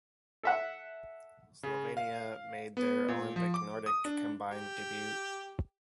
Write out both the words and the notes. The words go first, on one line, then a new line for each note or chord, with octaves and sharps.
Slovenia made their Olympic Nordic combined debut.
A4 E5 F#5
C#3
F5
B3
A#2
F3
D6
D#6
D4
G4